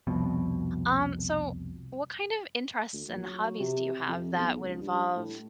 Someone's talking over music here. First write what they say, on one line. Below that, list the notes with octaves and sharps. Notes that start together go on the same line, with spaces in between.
um, so what kind of interests and hobbies do you have that would involve
C2 F2 B2
D2
A#1
F#3
C3
F2
B1
C#2
G2
A2